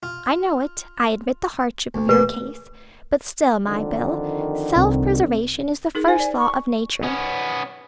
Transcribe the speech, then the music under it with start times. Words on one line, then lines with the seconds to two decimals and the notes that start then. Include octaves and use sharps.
I know it; I admit the hardship of your case; but still, my Bill, self-preservation is the first law of nature.
0.03 F4
1.94 D2
2.09 A1 A#3 B4 C6
3.65 F2 D3 D#3
4.76 C2 C4
5.95 D#4 G#4 A#4
6.08 C5 G#5
6.20 D5
6.39 C#6
7.03 B3 C#4